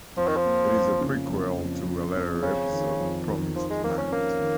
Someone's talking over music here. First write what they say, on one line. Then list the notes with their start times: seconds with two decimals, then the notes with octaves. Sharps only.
It is a prequel to a later episode, Promised Land.
0.17 F2 F3
0.27 D#3
0.37 F3
0.45 A#3
0.74 F2
1.01 C#3
1.30 F2
1.58 F2
1.86 F2
2.15 F2
2.42 F2 C#3
2.71 D#3
3.00 F2
3.27 D#3
3.55 D#3 F3
3.70 G#3
3.84 F2 A#3
3.98 C#4
4.12 A#3 C#4
4.41 D#3